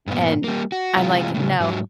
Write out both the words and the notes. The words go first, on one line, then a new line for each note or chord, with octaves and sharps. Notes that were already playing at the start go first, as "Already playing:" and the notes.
And, I'm like, "No.
G2 A#2 B3
G3 A#3
F#4
C3 E3 G#3 F4
A2 C#3
G#2 F#3